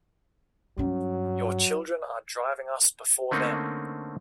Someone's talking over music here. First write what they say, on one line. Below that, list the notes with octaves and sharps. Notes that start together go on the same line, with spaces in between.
Your children are driving us before them.
G2 F#3 C#4
D3 A3 A#3 C4 C#4 D#4